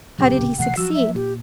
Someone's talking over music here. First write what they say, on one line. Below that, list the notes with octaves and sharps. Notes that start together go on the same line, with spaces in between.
'How did he succeed?'
D1 A#1 C#3 F#3 G4
B1 C3 E3 A3 F#5 C7
F3 F#3 F#4 E6
E5
A#2 G4